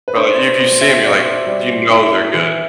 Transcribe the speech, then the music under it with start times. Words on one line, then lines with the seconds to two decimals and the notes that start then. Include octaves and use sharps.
but like if you see him, you're like, you know, they're good.
0.08 B4
0.16 D4 C5
0.39 C5
0.60 B2 C5
0.81 E5
1.04 B2 D5
1.46 G3 D5
1.90 E4 E5
2.34 E3